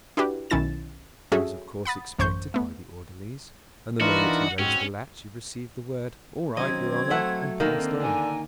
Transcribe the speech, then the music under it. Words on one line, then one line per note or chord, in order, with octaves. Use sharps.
He was of course expected by the orderlies, and the moment he raised the latch he received the word: 'All right, your honor!' and passed on.
D4 E4 F#4 G4 B4
B1 D#3 C#4 E4 A6 E7
F#3 C#4 F#4 G#4 A4 E5
F#5 B5 D#6 A6
A1 F#2 C5 C#6 G6
A3 B3
E3 D4 D#4 F4 F#4 A#4 B4
G#2 B2 C4 C#4 F#4
D#3 F#3 C4 C#4 D#5 G#6
F#3 A3 A4 E5 F#5
D3 D#3 A#3
C4
D4 D#4 A#4 G#5